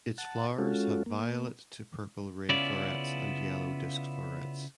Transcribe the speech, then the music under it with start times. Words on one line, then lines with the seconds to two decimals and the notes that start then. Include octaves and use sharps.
Its flowers have violet to purple ray florets and yellow disk florets.
0.18 F#5 A5
0.58 G#3 C#4 F4 F#4 A4
1.06 A#3
2.49 C#3 B3 C#4 E4 F4 D5